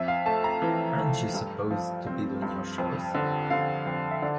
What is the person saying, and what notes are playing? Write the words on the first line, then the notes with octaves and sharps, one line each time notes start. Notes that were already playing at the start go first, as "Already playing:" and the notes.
Aren't you supposed to be doing your chores?
Already playing: F2 E5
F5
A3 A5
A#5
E3
A3
G2
F3
C4
G2
F2
D3
D3 F5
F2
E5
D3 D5